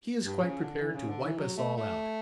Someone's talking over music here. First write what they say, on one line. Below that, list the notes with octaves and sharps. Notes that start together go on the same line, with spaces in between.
He is quite prepared to wipe us all out.
G2
C#3
D3
E3
C#3
D3
E3
F#3
A3
A3